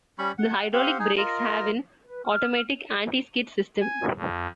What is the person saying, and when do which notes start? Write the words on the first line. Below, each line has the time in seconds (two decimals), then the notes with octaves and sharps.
The hydraulic brakes have an automatic anti-skid system.
0.19 G3 C#4 B5 C#6
0.38 F#5
0.73 C4 G4 F5 F#5
0.99 D#4 G#4 G#5
1.17 F4 A#4 D#5
2.05 B4
2.25 F6
3.80 G#5
4.17 F2